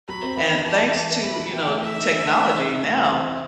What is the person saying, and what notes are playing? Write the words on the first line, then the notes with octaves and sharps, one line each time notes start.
And thanks to, you know, technology now,
F#3 B5
C4
E3
B3
E3 A5
E4
E3
B3
E3 B5
E4
E3 G5
A3
E3 E5
D#4
E3
A3
E3
D#4
E4
A3
E3
C4
E4